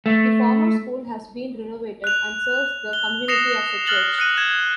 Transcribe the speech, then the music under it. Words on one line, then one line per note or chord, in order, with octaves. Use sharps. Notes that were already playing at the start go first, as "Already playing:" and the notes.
The former school has been renovated and serves the community as a church.
A3
F#6 F7
G7
D#6 A#6 C7 C#7 E7 F7
F6 F#6 A6 F#7 G7
F#6 C#7 D#7
G#6 E7